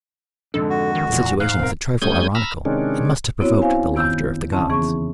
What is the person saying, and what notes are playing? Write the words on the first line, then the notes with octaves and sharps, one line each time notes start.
The situation was a trifle ironical, and must have provoked the laughter of the gods.
F2 G#2 D3 D4 A4
F#4
D#3
E2 A#2
G#2 F5 F#6
B1 C4 A#4
G3 A3 C#4 D#6 G6 G#6
A#5 B5 E6 F6
C3 D#3 G#3 C#4 D4
B3 C4 E4 F#4 C#5
D#2 C#4 E4 C5 F5 G#5
F2 D#3 B3 E6 G6
E2 C#3 C4 C#4 A5
E3 B3 G#4 C#6